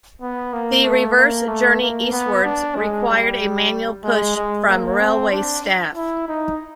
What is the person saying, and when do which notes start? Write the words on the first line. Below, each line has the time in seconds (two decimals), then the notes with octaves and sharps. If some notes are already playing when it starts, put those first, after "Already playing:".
The reverse journey eastwards required a manual push from railway staff.
0.21 B3
0.53 A#3
0.84 A3
1.17 A#3
1.48 A3
1.81 A#3
2.12 B3
2.45 D4
2.76 G#3
3.09 G3
4.03 G#3
4.36 G#3
4.68 A#3
5.00 C4
5.32 D4
5.95 E4
6.28 D#4